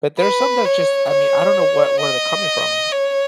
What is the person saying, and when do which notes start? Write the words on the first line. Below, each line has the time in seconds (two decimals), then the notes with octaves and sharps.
but there's some that are just I mean, I don't know what where they're coming from,
0.19 B4
0.65 C#5
1.10 C#5
2.01 D#5
2.92 C#5